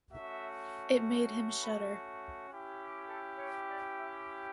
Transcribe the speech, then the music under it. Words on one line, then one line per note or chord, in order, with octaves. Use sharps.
It made him shudder.
A3 C#4 F#4 E5
B4
C#4 E4 G4
A4
C#5
D5
E5